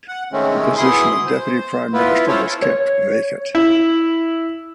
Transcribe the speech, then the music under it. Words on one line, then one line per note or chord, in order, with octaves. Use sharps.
The position of Deputy Prime Minister was kept vacant.
F#5
C3 D#3 G#3 A3 C4 C#4
B2 E4 G#4 C6 D#6
C5
B3 E4 F4 B4
C#4 E4 F4 A4 C5 C#5
C#5
E4